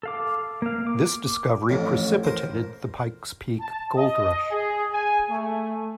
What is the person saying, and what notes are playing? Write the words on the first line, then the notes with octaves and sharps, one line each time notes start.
This discovery precipitated the Pike's Peak Gold Rush.
A4 F5 D6
A#3 F5
D6
A1 F2 A2
A#4 C5
A5
D#5
G#4
G#5
A3